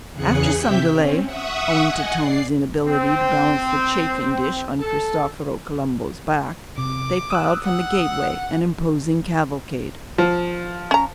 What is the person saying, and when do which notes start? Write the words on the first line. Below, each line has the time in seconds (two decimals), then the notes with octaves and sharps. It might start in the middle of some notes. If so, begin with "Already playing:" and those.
After some delay--owing to Tony's inability to balance the chafing-dish on Cristoforo Colombo's back--they filed from the gateway, an imposing cavalcade.
0.12 E2 C#3 G#4 F#6 C#7
0.52 C3 G4 E5 G6 B6
0.91 C4 C#4
1.25 E5 F#5 C#6 D#6
1.84 D#5 F#5 G#5
2.14 D5 C7
2.85 C4
4.80 A4
6.78 C3 D6
7.30 D#6 E6 F#6
7.64 F#5
10.18 F3
10.91 C#4 A#5